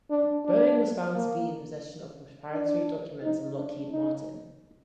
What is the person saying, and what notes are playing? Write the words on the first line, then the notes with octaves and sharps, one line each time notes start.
Boeing was found to be in possession of proprietary documents from Lockheed Martin.
D4
D4
A#3
D4
D#4
D4
D#4